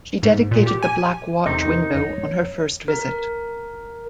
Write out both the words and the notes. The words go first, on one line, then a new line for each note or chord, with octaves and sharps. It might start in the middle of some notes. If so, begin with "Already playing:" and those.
She dedicated the Black Watch window on her first visit.
G#2
A#2
G4
G#5
E2 C3 A3 C4 D#4 A#4
F2 C#5
A#4